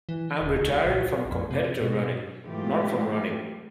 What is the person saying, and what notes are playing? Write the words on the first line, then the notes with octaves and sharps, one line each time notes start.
I'm retiring from competitive running, not from running.
E3
D#1
C#2
A#1
F2
C3
B2
G#2 E3 F#3 A3 F4 G4